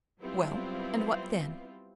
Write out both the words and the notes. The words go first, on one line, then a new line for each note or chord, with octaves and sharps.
"Well, and what then?"
F#3 G3 B3 C4 E4 F4